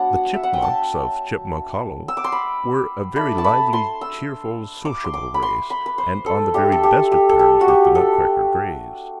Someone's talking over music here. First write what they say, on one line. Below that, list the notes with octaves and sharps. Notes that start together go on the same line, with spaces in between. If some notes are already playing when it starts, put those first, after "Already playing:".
The Chipmunks of Chipmunk Hollow were a very lively, cheerful, sociable race, and on the very best of terms with the Nutcracker Grays.
Already playing: F#3 B3 D4 F#5
E5
F#5
G5
A5
E6
D6
C6
B5
A3 D4 B5
A5
B5
C6
E6
D6
C6
D6
B5
C6
B5
B4
C5
A4
A3 D4 G4
A4
G4
G4
A4
G4
F#4
G4
A4